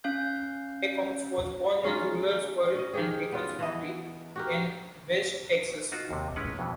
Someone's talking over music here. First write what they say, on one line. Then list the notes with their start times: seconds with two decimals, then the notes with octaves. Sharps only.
McCombs was born in rural Spur in Dickens County in West Texas.
0.04 C#4 F5 G6
1.83 G#3 C#4 D#4 F4
2.75 C#4 D#5
2.93 D#3 G4 G#4
3.32 B3 F4
3.59 E3 D#5
4.36 F#4 G4 A#4
5.92 D#4 F4 F#4
6.11 D#2 C3
6.36 G#3 C#4 E4 B4 F#5
6.59 F2 B2 E3